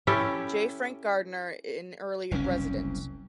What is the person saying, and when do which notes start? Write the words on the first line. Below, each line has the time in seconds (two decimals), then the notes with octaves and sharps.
J. Frank Gardner, an early resident.
0.07 C#4 E4 G4 A4
2.31 F#1 C2 F#2 C#4